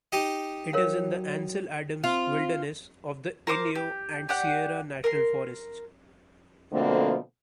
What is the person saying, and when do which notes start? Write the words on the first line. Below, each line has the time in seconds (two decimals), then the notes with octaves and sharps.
It is in the Ansel Adams Wilderness of the Inyo and Sierra National Forests.
0.12 D#4 G4 D#5
0.73 F#3 A#4 C#5 F5
2.04 C4 F4
3.47 A#4 C5 E5 D6
3.75 G4
4.29 G4 D5 F#5
5.04 A#4 C6
6.73 B2 D3 F3 A3 A#3 C4